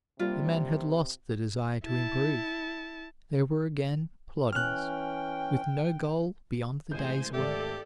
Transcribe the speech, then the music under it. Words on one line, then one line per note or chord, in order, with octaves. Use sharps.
The men had lost the desire to improve; they were again plodders, with no goal beyond the day's work.
C3 G3 A#3 D4 F4
E4 A5
E3 C#4 G5 F6 F#6
A1 G#3 C5 G#5 G6
G#1 A3 G4 A4 D5 E5